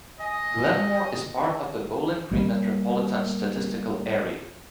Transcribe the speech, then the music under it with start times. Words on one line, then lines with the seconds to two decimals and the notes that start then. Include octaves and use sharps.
Glenmore is part of the Bowling Green Metropolitan Statistical Area.
0.20 D#5 G#5
2.31 G3 G#3 A#3